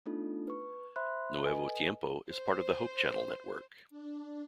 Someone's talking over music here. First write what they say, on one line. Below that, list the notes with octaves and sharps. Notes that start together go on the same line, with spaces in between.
Nuevo Tiempo is part of the Hope Channel network.
A3 B3 D4 D#4 F4 A4
B4 C#6
C5 E5 B5 C6 F#6
A4 B4 D#5 G#5
C5
D4